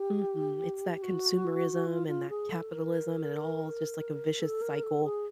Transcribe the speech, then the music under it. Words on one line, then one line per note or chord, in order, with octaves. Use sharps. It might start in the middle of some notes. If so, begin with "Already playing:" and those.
Mhm, it's that consumerism and that capitalism, and it all just like a vicious cycle,
Already playing: G4
F#4
F4
F4
G#4
A4
A#4
A4
A#4
A4
G#4